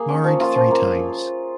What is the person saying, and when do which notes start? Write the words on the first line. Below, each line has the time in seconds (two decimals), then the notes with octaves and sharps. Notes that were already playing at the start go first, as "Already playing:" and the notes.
Married three times.
Already playing: A#3 G#4
0.09 C#4
0.24 F3
0.40 A#3 F4
0.55 F3
0.71 A#3